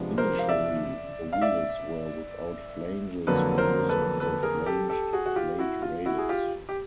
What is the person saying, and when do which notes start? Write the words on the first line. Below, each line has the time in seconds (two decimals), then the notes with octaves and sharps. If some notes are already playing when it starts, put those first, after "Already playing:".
Initially the wheels were without flanges for use on the flanged plate rails.
Already playing: C3 F3 G#3 B3 D4
0.18 A#4 C5
0.39 F5
0.49 D5 E5
1.33 F5
1.42 D5 E5
3.27 F2 D3 F#3 A#3 A4 B4
3.58 A#4 C5
3.89 A4 B4
4.20 A4 B4
4.43 G#4 A#4
4.66 G4 A4
4.89 G4 A4
5.13 F#4 G#4
5.26 F#4
5.36 F4 G4
5.59 E4 F#4
5.82 F4
6.06 E4 F#4
6.18 G#4
6.29 F4 G4
6.69 G4